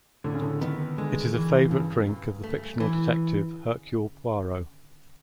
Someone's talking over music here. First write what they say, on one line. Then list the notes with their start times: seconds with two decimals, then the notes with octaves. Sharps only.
It is a favourite drink of the fictional detective Hercule Poirot.
0.24 A2 D3
0.34 C#3
0.42 D3
0.61 D#3 B3
0.98 D3 G#3
1.34 E3
1.70 G2 C#3
2.07 G2
2.44 A3
2.80 E3